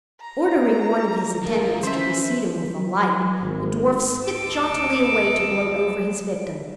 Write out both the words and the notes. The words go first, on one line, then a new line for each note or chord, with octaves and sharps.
Ordering one of his attendants to precede him with a light, the dwarf skipped jauntily away, to gloat over his victim.
A#5
D3 F4 A#4
E3 C#4 C5 E5
F#3
G#1
D2 D#4 A5 D6 E6